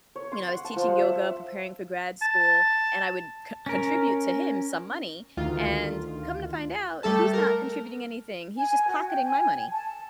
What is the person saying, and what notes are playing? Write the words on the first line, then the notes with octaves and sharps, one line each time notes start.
you know, I was teaching yoga, preparing for grad school, and I would co contribute to him some money, and come to find out, he's not contributing anything, he's just pocketing my money.
C#5
C6
F#5
A5
F3
F#5
E5
A5
C#4 A#4
D2 D#3 F4
G3 A3 A4 A5
A#4
G#5
F#4
G5
G#5
A5